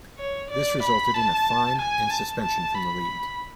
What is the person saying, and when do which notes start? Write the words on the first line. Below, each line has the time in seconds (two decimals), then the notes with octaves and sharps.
This resulted in a fine and suspension from the league.
0.19 C#5
0.51 D5
0.83 B5
1.14 A5
1.79 G#5
2.10 A5
2.42 A5
2.74 B5